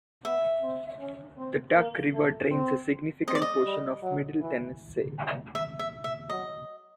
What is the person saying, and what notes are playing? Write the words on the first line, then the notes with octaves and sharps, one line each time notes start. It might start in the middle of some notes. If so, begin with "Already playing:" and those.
The Duck River drains a significant portion of Middle Tennessee.
B3 E5
C4
C#4
C4
A#3
A3
C4
C4 D#5
D5
D#5
G3
F#3
E3
E5
E5
E5
F#3 D#5